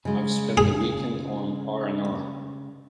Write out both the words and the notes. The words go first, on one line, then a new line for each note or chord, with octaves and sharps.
I've spent the weekend on R and R.
C#3 G#3
G#4